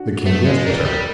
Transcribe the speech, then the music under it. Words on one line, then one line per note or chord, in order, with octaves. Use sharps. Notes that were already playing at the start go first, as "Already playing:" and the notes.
The king danced with her.
Already playing: D4 F#4
A3 B3
G#3
G3 A#4
G3